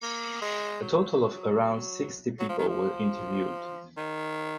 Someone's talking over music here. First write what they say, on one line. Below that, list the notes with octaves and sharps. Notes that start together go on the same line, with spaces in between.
A total of around sixty people were interviewed.
A#3
G#3
F#3
F#3
F3
D#3
F3
D#3